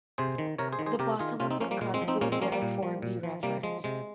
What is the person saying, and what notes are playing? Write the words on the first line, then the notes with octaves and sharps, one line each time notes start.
The bottom of the cut will therefore be referenced.
C3 G#4 C5
D#3
C3 A#4 C#5
G#4 C5
D#3
G#4 C5
C3 G4 A#4
D#3 F4 G#4
C3 C#4 F4
C4 D#4
F3 A#3 C#4
G3 A#3
A#2 G#3
G#3 C4
F3
C4 D#4
A#2 A#3 C#4
G#3 C4
F3 A#3 C#4
G3 A#3
A#2
F3
A#2
F3
C3 G3 A#3
F3 G#3
C3 G#3